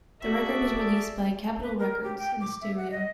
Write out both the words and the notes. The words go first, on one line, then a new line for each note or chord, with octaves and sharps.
The record was released by Capitol Records in stereo.
F#4 G#4 A4 D5 E5
B4
A#4
G4
G5
D6
E5
F#5
D#5